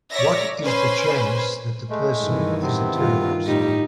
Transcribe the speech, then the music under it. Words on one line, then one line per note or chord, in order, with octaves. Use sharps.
What is the chance that the person is a terrorist?
C#5 D5 E5 A#6
C#4 B4 C5 G#5
G#3 A3
G2 D#3 E3
C3 B3 C4
G2 D#3 F4
F2 A2 G3 D#4 G4